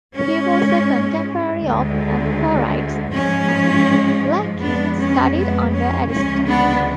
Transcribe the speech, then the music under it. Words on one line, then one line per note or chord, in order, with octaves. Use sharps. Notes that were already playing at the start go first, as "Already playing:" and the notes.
He was a contemporary of Antorides, and, like him, studied under Ariston.
G#2 G#3 C#4
D2 D3 G#3
G#2 F3 G#3 C#4
F2 F3 G#3 B3 D4
C#4
B3
C#4
D2 C#3 F3 G#3 C#4
B3 D4